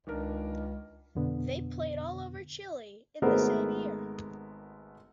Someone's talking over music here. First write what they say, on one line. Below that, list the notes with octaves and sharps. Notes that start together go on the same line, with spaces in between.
They played all over Chile in the same year.
C#2 D#3 D4 A#4
F2 B2 D3 B3
G#1 G#3 A3 B3 A#4 C5